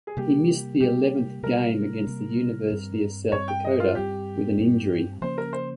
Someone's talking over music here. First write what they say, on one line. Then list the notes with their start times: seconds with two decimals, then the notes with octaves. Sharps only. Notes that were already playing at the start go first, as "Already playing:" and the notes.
He missed the eleventh game against the University of South Dakota with an injury.
0.07 G#4
0.17 C3 G3 A#3 G4
0.80 C3 G3 A#3 G4
1.43 C3 G3 A#3 A#4
2.07 C3 G3 A#3
2.70 G2 G3 C4
3.32 G2 G3 C4 C#5
3.48 G5
3.64 D#5
3.80 F4
3.95 G2 G3 C4 G4
4.59 G2 G3 C4
5.21 C#3 F3 A#3 C#4 C5
5.38 A#4
5.53 C5